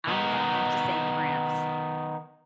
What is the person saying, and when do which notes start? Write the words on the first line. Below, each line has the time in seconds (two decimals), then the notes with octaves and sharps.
I'm gonna have to say Prince.
0.07 D#3 B3 D#4